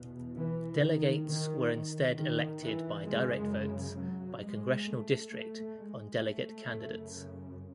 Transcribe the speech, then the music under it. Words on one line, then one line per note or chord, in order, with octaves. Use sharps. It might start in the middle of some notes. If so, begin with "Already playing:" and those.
Delegates were instead elected by direct votes by congressional district on delegate candidates.
Already playing: E2 B2
E3
D#3
D#3
D#3
E3
F#2 C#3 G#3
F#3
G#3
A3
A3
G#3
A3
F#2 C#3